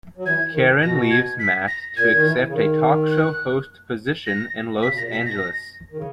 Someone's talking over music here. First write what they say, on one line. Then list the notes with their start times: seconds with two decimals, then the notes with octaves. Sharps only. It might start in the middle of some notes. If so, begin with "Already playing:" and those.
Karen leaves Matt to accept a talk show host position in Los Angeles.
0.17 F#3
0.25 E3 G#6
0.53 D#3
0.82 B2 A#6
1.10 G#6
1.39 B6
1.67 A#6
1.96 A#2 G#6
2.15 D#3
2.26 E3
2.48 C#3
2.53 D#3
3.11 F#6
4.26 A#6
4.82 C#3 B6
4.90 B2
4.97 A#2 A#6
5.05 B2
5.11 B6
5.25 A#6
5.91 D#3
5.96 C#3